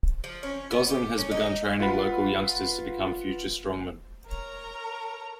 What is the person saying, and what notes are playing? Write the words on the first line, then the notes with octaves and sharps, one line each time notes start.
Gosling has begun training local youngsters to become future strongmen.
F3
C#4
B3
G4
C#4
D#4
F4 B4 F#5 B5
A#4 C#5 A#5